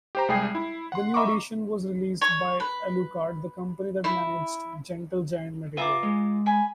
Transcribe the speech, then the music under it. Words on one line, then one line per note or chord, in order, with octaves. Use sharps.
The new edition was released by Alucard, the company that managed Gentle Giant material.
G4 C5 A#5
C2 G3 G#3 G#4 G5 C7
E4
F#5 C6
D#5 E5 A#5 B5 C#6 D6
C#5
B4
E4
F4 B4 E5 A#5 D6
G#3
G#5 B5